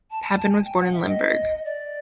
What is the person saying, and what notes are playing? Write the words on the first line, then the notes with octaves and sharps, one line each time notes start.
Papen was born in Limburg.
A5
G#5
A5
G#5
G5
F#5
E5
D#5
D5